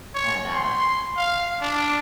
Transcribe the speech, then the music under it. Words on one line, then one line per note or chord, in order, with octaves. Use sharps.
and, uh,
C#5
C6
F5
D4